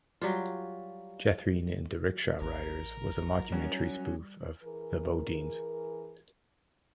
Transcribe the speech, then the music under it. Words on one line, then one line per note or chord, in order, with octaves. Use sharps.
"Jethrine and Da Rickshaw Riders" was a mockumentary spoof of the BoDeans.
F#3 G3 F4
A1 A#4
F#3 G3 C#4
E3 G#4 A#4